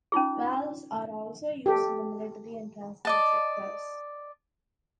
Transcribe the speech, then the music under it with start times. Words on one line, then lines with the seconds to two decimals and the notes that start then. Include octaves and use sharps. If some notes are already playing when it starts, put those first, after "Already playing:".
Valves are also used in the military and transport sectors.
0.12 C#4 D#4 F4 G#4
1.66 G4 A4
3.05 D5 D#5 A5